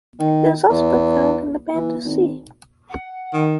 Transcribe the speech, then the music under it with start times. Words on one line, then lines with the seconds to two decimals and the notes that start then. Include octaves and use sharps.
It has also been found in the Banda Sea.
0.19 D#3
0.69 E2
1.74 E3
2.04 G#1
2.90 F#5
3.33 D#3